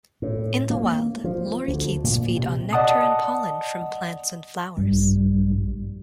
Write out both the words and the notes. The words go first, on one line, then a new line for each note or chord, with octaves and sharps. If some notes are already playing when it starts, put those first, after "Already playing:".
In the wild, lorikeets feed on nectar and pollen from plants and flowers.
A2
A#3
F3
D2
A#2
C3
D5 D#5 F#5 A5 D#6
A#1 G2